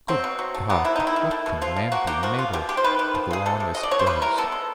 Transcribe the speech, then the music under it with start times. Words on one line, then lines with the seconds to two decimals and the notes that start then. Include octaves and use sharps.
Good God! what can a man be made of to go on as he does?
0.08 F#3 C4
0.24 B2
0.39 F#3
0.54 A3
0.69 A#3 B3
0.84 C3 E4
0.96 D#3 D#4
1.07 E4
1.16 D#3
1.31 A3
1.46 B2
1.62 F3 F4
1.76 F3
1.92 A#3 F#4
2.07 A#3 G4
2.23 F3 F#4
2.39 C#3 F4
2.53 B2 G4
2.69 G#3 G4
2.77 C5
2.84 D#3 B4
2.99 D#3
3.15 F3
3.31 C#3 G#4
3.46 C3 A4
3.60 C3
3.75 B2 D#5
3.83 D5
3.91 B2 C#5
3.99 C5
4.06 G3 B4
4.22 E3 A#4
4.38 B3 A4
4.52 G#3